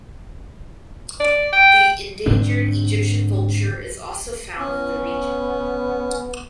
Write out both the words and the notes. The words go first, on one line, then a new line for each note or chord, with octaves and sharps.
The endangered Egyptian vulture is also found in the region.
D5
G5
G#2 D3 C4 D4
B3 C#4